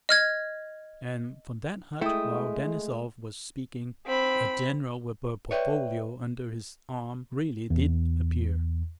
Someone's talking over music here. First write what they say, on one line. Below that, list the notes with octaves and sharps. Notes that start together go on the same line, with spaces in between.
And from that hut, while Denisov was speaking, a general with a portfolio under his arm really did appear.
D#5 F6 G#6
G#3 A3 E4 G5 D#6
C4 B5
B4 C#5 D5 E5 G5
E2